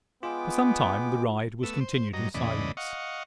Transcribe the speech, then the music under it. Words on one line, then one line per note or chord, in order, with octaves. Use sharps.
For some time the ride was continued in silence.
G#3 B3 F4 G5 D6
A3 B3 E6
C5
G2 F#3 D#5 A#5
E2 A2 C#3 D5 D#5 B5
D#5 F5 F#5 C#6